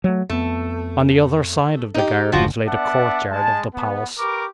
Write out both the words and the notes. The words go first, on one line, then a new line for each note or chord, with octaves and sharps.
On the other side of the gardens lay the courtyard of the palace.
F#3 A3
F2 A3 B3
D#4 G4
F#1 D2 D3 F3 F4 F#4
B3 D4 D5 E5 F#5 A5
G#3 A5
B3
G4 A#4 B4 C#6 D6